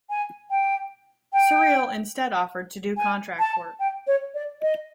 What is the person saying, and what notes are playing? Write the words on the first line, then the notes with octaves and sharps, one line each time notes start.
Surreal instead offered to do contract work.
G#5
G5
G5
G#5
A5
G5
C#5
D5
D#5